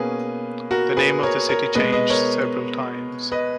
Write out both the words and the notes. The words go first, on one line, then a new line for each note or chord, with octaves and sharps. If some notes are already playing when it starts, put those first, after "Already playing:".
The name of the city changed several times.
Already playing: B2 A#3 C#4 G#4 B4
F#4 A#4
G#4 B4
A#4 C#5
A#4 C#5
B2 G#3 B3 B4 D#5
B4 D#5
A#4 C#5
B4 D#5